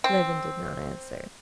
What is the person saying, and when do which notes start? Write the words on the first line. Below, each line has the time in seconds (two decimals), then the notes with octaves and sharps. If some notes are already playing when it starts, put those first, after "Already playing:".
Levin did not answer.
0.04 C4